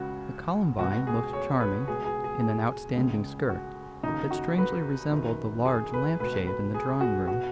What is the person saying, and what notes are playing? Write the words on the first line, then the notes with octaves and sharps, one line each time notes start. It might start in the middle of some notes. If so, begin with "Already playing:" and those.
The columbine looked charming in an outstanding skirt that strangely resembled the large lamp-shade in the drawing-room.
Already playing: C#2 C#3 F#4
C#2 B2 F#4
G#4
C#5
B4
C#2 B2 G#4
G#4
G#4
G#4
C#2 C#3
F#4
D#2 C#3 D#4
F#4
B4
F#2 D#3
G#4
B4
C#2 B2 B4
B4
G#4
F#4
B2 F#4